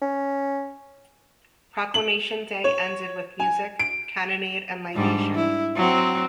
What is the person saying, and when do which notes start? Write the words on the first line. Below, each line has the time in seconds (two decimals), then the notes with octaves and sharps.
Proclamation - day ended with music, cannonade and libation.
0.02 C#4
1.94 F#7
2.64 C#5
3.40 G#5
3.79 D7
4.94 G#2 G3 D4
5.35 E4
5.76 F#3 C4